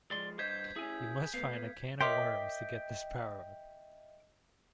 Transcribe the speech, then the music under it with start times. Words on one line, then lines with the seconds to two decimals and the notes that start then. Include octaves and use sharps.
You must find a can of worms to get this power up.
0.11 F3 G#3 D5 C6
0.39 G2 D4 C5 D#5 G6 G#6 B6
0.76 C#4 E4 G#4 G#5
1.34 A3 B3 F5
2.01 A#4 C#5 D#5 E5 G5 C6 D6 B6